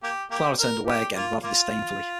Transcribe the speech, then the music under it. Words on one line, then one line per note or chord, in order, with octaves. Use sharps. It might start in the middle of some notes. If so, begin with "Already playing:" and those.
Clara turned away again rather disdainfully.
A#3 G4
A#3 G4
A#4
G4
A#3 F4
A#3 F4